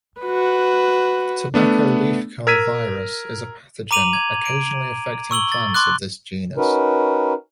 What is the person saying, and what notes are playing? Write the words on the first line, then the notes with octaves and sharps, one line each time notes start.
Tobacco leaf curl virus is a pathogen occasionally affecting plants of this genus.
F#4 B4
A3 B3 D4
A#4 E6 G#6 B6 D#7
A#5 D6 D#7 F7 F#7
G#6
D7
C#6 E6 F#7 G7
A6
C6 D6 F#6
C#4 D#4 F#4 A#4 B4